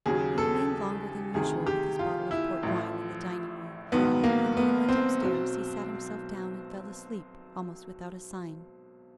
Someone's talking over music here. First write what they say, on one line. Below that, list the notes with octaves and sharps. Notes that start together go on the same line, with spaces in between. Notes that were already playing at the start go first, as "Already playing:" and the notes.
He remained longer than usual with his bottle of port wine in the dining-room; and when he went upstairs, he sat himself down and fell asleep, almost without a sign.
D#2 C#3 F#3 G#4
A4
D2 C3 D#3 G#4
G4
F4
E4
A1 A2 F3
A#1 G#2 D#3 F#3 B3
A#3
B3
C4
B1 B2 F#3